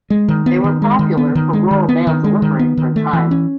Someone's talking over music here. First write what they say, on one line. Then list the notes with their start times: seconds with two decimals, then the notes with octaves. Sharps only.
They were popular for rural mail delivery for a time.
0.10 G#3
0.28 D#3
0.46 B3
0.64 D#3
0.82 G#3
0.99 D#3
1.17 B3
1.35 D#3
1.53 G#3
1.71 D#3
1.89 B3
2.07 D#3
2.24 G#3
2.42 D#3
2.59 B3
2.77 D#3
2.96 A3
3.13 E3
3.31 C#4